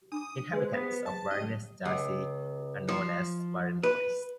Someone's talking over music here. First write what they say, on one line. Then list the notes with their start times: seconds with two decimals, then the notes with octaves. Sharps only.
Inhabitants of Varennes-Jarcy are known as "Varennois".
0.12 D4 B5 D6 D#6
0.53 G#3 F4 B4 C5
0.73 B3
1.06 A5
1.31 C#4 G4 D5 D#5
1.85 C#2
2.89 F3
3.83 B4